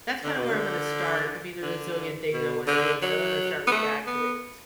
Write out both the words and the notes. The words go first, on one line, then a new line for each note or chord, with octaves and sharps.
that's kinda where I'm gonna start, I mean, there's a zillion things I wanna do, but I'm gonna start with that 'cause it s
D3
B2
D3
D3
B2
D3
F#3
B3
A3
B3